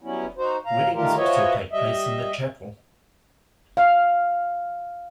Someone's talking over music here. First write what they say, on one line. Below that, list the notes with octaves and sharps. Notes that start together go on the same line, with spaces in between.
Weddings also take place in the chapel.
F#3 G3 B3 C#4 E4
D#4 F#4 C5
A2 F5 A#5
D#3 G3 A3 F4 G4 A#4
F3 F#4 B4 C#5 D#5 E5
G3 D#5 E5
F5